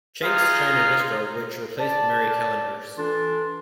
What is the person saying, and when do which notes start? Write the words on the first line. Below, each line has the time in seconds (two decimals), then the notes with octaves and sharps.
Chang's China Bistro, which replaced Marie Callender's.
0.22 D#4 F4 G#4
1.79 D5 A5
2.97 E3 D4 F4 A4